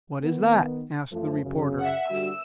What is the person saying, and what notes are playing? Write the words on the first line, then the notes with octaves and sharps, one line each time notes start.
"What is that?" asked the reporter.
D#3 B3
F#2 F3 A3
F#2 C#3
E5 F#5
D3 G3 F#4 E6